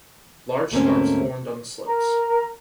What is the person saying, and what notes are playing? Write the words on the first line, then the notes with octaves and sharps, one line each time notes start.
Large scarps formed on the slopes.
D2 G#2 A3 A#3 C4 C#4
A#4 A#5